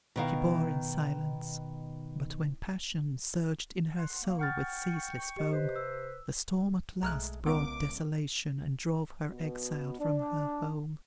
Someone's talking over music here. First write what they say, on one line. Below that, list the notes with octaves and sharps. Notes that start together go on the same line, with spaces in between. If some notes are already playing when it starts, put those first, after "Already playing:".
She bore in silence--but when passion Surged in her soul with ceaseless foam, The storm at last brought desolation, And drove her exiled from her home.
B2 D#3 F5
F#5 C6
A#3
F#5 G5 C#6 F6 A6
G4 D#5
C3 B4 C5
E6
B1 G#3 A3 A#5 F6 F#6
C#2 B3 A#4 D#5 D6
B2
D4